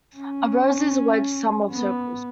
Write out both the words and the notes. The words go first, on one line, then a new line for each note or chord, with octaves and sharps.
A rose is a wedge sum of circles.
C#4
B3